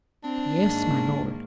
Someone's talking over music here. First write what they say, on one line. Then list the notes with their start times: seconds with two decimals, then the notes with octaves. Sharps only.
"Yes, my Lord!"
0.24 C4 D4
0.60 G#2 D#3 A#3